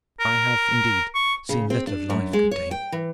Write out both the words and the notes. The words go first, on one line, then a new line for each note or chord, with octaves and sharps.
"I have indeed seen little of life, good dame."
A#4
C#6
C#3
C4
D4
F#2
G#3
C#5
G5
E3